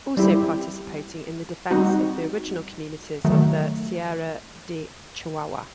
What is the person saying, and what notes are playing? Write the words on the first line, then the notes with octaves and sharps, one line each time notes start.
Also participating in the defense of the original communities of the Sierra de Chihuahua.
G3 C4 E4 G4
G3 C4 D#4 F#4
D#3 F#3 A3